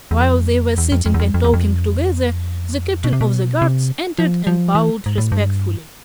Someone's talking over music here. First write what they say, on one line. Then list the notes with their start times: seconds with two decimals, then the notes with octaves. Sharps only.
While they were sitting and talking together the Captain of the Guards entered and bowed respectfully.
0.11 E2
0.21 F2
0.78 E2
0.92 F2
1.06 F2
1.14 E2
1.19 F2
1.34 F2
1.44 E2
1.54 F2
3.04 B2
3.13 C3
3.21 B2
3.62 C3
4.19 F3
4.47 F3
4.75 E3
5.06 G#2
5.18 A2
5.32 G2